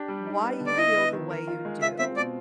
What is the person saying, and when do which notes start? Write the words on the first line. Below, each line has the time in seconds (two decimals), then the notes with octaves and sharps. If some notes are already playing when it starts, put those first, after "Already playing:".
why you feel the way you do,
Already playing: D4 G4
0.08 G3
0.26 D#4
0.43 B3
0.60 D3
0.67 D5
0.77 E4 D#5
0.95 B3
1.13 D#3
1.30 A#4
1.47 F4
1.65 G#3
1.82 F4 E5
1.99 C4 E5
2.16 B2 D5